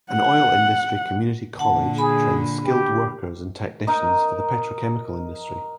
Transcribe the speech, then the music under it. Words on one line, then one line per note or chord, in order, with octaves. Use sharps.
An Oil Industry Community College trains skilled workers and technicians for the petrochemical industry.
F#5
A#2 D3 F#5 A5
G#4 B5
G4
D#4 A#4 D#5